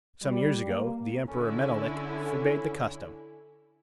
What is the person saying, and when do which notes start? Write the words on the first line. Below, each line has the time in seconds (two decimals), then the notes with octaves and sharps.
Some years ago the emperor Menelik forbade the custom.
0.22 G3
0.67 A#3
1.28 D3 C#4 E4